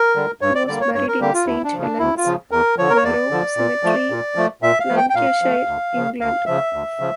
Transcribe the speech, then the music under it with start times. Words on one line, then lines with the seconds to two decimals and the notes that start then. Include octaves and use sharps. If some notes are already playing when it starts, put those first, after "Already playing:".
He was buried in Saint Helens Borough Cemetery, Lancashire, England.
Already playing: A#4
0.15 D3 G3
0.41 G2 C#5
0.55 D5
0.67 D3 G3 A#3 D5
0.81 C#5
0.94 G2 C#5
1.08 A#4
1.20 D3 G3 A#3 G4
1.34 F4
1.46 D2 E4
1.64 D4
1.73 C#3 F3
1.82 D4
1.99 D2 E4
2.17 F4
2.26 C#3 F3
2.51 E2 A#4
2.78 D3 F3 C#5
2.90 A#4
2.96 C#5
3.04 E2 D5
3.31 D3 F3
3.57 A#2
3.83 F3 A3
4.10 A#2
4.35 F3 A3
4.62 A#2 E5
4.80 F5
4.89 F3 A3
4.97 G5
5.10 G5
5.15 A#2 F5
5.42 F3 A3
5.67 D2
5.94 C#3 F3
6.21 D2 F5
6.46 C#3 F3 E5
6.73 D2
7.00 C#3 F3